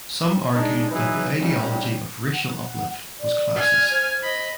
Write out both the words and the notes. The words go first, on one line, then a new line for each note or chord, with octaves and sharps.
Some argued that the ideology of racial uplift was classist.
G#3 D4 D#4 D5
E3 F#3 D#4 G#4 B4
G#2 C3 G3 C#4 G4
F#5
D5
G#5 F6
C5
D#5 B5